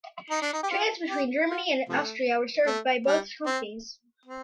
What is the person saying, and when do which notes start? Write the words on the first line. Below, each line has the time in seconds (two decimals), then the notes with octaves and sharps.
Trains between Germany and Austria were served by both companies.
0.30 D#4
0.42 D4
0.53 D#4
0.63 G4
0.70 F4
1.10 G4
1.49 F4
1.89 C3 F3 A3
2.67 A3
3.07 G3
3.46 C4
4.26 C4